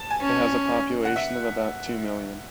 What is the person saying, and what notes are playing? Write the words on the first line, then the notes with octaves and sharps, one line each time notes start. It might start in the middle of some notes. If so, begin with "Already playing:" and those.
It has a population of about two million.
Already playing: A5
G#5
C#4
F#5
E5